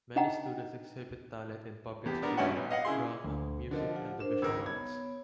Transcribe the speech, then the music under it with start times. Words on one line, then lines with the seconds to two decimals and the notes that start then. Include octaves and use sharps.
Many students exhibit talent in public speaking, drama, music and the visual arts.
0.16 D4 D#4 D#5 F#5 G5 A#5
2.05 E2 G4
2.22 B3 D4 A#4
2.37 G#1 G2 C#4 E5 F#5
2.56 B1
2.71 D#5 F5 F#5
2.85 C#3 E4 G#4 C6
3.24 D2
3.71 D3 F3 A#4 D#5
3.96 F4 G4 F#5
4.20 D4 A#4 C5 E7
4.42 G#1 C#2 A#4 E6
4.66 B3 C#5 G#6